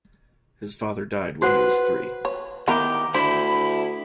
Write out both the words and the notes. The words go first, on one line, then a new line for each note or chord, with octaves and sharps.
His father died when he was three.
F#4 B4 C5 F#5
C#5
D#3 B3 E4 G4 A#4
D2 E4 C5 B5